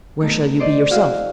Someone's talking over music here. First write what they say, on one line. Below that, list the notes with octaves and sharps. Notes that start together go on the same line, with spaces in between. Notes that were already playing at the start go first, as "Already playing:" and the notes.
"Where shall you be yourself?"
B2 A3 D#4
C5 D5 D#5
E4 F#4 G#4 F5